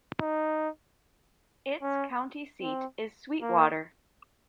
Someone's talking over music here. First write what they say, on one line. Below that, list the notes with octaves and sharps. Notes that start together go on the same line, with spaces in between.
Its county seat is Sweetwater.
D#4
C#4
C4
A#3